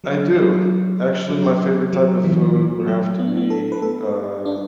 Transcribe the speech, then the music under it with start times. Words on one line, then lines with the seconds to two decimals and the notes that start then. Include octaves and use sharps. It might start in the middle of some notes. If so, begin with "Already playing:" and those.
I do. Actually, my favorite type of food would have to be, uh
0.04 F#3
0.34 F#3
1.30 F#3
1.93 F#3
2.24 E3
2.56 E3
2.80 F#3
2.87 A3
3.19 B3
3.27 D4
3.37 B3
3.50 A4
3.72 B4
3.82 A4
4.46 D4